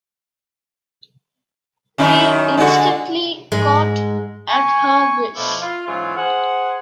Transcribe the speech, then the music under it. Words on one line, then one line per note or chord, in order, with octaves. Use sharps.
He instantly caught at her wish.
F#2 D#3 E4
D3 G#3 F#4
G#2 G#3
G#5 C#6
F2 B2 F3 A3 D4 E4
F4
G#2 E3 F#3 C#4 E4 F4
G#4 C5 F#5